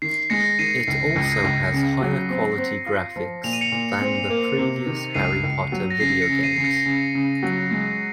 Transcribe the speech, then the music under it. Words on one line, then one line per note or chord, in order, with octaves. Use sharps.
It also has higher-quality graphics than the previous "Harry Potter" video games.
D#3 C7
G#3 A#6 C#7
D#3 C7 D#7
C#2 C7
C#2
C7
C#2
C#3
F#3
C4
C4
F4
F3
A#2 F7
D#7
C#7 F7
A#2
C4
A#3
C3
D#3
C#2 C7 D#7
C#2
F#3
A#6
C#3 C7
A#6 C#7
C#3
C7 D#7
C#3 C7
A#6 C#7
C#3
C#3
F#3
G#3